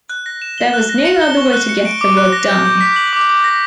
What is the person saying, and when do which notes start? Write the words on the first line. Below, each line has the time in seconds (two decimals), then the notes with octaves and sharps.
There was no other way to get the work done!
0.09 F#6
0.26 A#6
0.42 E7
0.58 G7
0.74 F#6
0.89 A#6
1.05 C#7
1.21 G7
1.37 C#6
1.53 F#6
1.69 C#7
1.85 D7
2.01 D6
2.17 F#6
2.32 A#6
2.49 G6
2.65 G6
2.81 B6
2.96 F#7
3.13 D6
3.29 D6
3.44 A#6